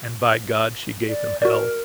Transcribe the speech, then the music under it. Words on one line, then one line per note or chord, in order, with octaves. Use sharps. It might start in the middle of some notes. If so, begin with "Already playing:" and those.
And, by God, she gave him hell.
D5
F#4 A#4 D5